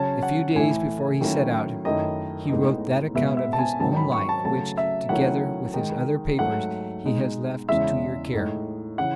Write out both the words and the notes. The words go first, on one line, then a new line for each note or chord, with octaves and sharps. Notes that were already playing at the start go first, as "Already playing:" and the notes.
A few days before he set out, he wrote that account of his own life, which, together with his other papers, he has left to your care.
Already playing: C#3 F#3 C#4 A5
F#5
A2 E3 A3 E4 G#5
D#3 F#3 A3 C#4 E4
F#2 D#3 A3 E4 D#5
A2 G#3 B3 D#4
B2 G#3 B3 E5
E5
A5
G#5
G#2 D#3 F#3 A5
B5
C#6
A5
C#3 F#3 A3 A5
E5
D#3 F#3 A3 C#4 E4 F#5
D#3 G#3 D#4
G#2 F#3 A3 F#5
B2 G#3 D#4
E2 C#3 E3 G#3 E5
A2 G#3 D#4
C#3 E3 F#5